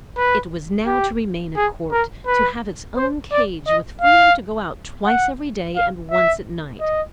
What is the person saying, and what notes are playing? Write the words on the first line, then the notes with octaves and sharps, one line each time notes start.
It was now to remain at court, to have its own cage, with freedom to go out twice every day and once at night.
B4
G4
G#4
A#4
B4
C5
D5
D#5
F5
F#5
F5
E5
D#5